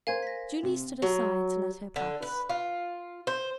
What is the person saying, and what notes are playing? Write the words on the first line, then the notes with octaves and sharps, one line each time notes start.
Julie stood aside to let her pass.
A#4 C5 F5 G#5 G#6
A#6 B6
C3
F#3
D3
B4
F4
C5